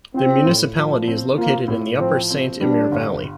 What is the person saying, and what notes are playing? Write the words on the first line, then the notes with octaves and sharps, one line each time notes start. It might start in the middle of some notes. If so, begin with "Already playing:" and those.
The municipality is located in the upper Saint-Imier valley.
C4 F4
A2
F3
C4
A#3 F4
A2
F3 C4
C4
G3 D4
G1